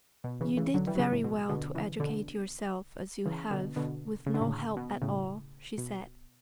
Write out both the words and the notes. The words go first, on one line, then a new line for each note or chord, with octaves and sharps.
"You did very well to educate yourself as you have, with no help at all," she said.
B2
C#3 E3
C#3 E3
D3 F#3
E3 G3
F#3
C#3 E3
A2
B2
B2 D3
C#3 E3
B2 D3
C#3 E3
B2 D3
B2 D3
C#3
D3
A2 C#3
B2
A2 C#3
B2